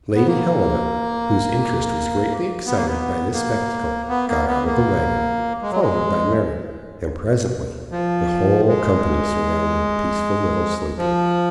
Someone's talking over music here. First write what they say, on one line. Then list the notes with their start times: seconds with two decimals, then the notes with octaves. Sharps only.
Lady Helena, whose interest was greatly excited by this spectacle, got out of the wagon, followed by Mary, and presently the whole company surrounded the peaceful little sleeper.
0.15 B3
0.27 A#3
2.66 B3
2.76 A#3
2.87 B3
3.33 A#3
4.09 B3
4.28 A#3
4.47 B3
4.67 A#3
5.62 G#3
5.71 F#3
5.81 G#3
7.92 F3
8.68 G#3
10.98 F3